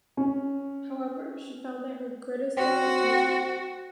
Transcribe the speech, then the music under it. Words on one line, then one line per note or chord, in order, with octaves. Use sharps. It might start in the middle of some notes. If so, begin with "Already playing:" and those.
However, she found that her greatest love is music.
C#4
C4 F#4